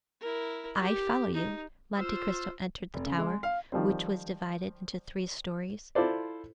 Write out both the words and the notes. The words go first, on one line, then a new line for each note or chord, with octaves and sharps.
"I follow you." Monte Cristo entered the tower, which was divided into three stories.
E4 A#4
G4
D#4
F4 C5 E6 F6
F1
C#3
G#3
F5
D#3 F3 G3 C4
E4 F4 A4 C5 D5